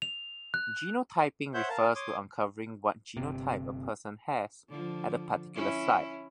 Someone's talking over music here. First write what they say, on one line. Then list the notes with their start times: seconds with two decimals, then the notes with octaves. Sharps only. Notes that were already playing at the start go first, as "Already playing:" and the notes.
Genotyping refers to uncovering what genotype a person has at a particular site.
0.02 F7
0.54 F#6
1.54 C5 C#5 E5 F#5 G6
1.69 A#4 F5 A5
1.95 C#5 C6 D6 D#6
3.17 G1 C3
4.69 D3 F3
5.55 C#4 E4